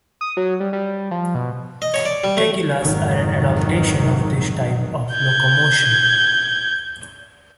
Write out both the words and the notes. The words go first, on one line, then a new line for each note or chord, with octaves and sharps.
Tegulaes are an adaptation of this type of locomotion.
D#6
F#3
G3
G3
F3
B2
D#5
C#5
D5
G3
A3
G#1 F2 D#3 F#3
G6 G#6